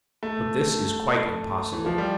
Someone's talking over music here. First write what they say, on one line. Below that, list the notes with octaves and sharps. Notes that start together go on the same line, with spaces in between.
But this is quite impossible.
A3
E3
F3
G3